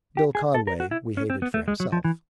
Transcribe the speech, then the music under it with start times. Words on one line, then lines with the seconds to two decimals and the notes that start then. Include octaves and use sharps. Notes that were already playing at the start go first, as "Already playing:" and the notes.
Bill Conway we hated for himself.
0.17 G4
0.35 G#4
0.54 A4
0.67 A#4
0.80 F#4
0.91 E4
1.17 C#4
1.30 C4
1.42 B3
1.54 A3
1.68 G#3
1.80 F#3
1.92 F3
2.05 E3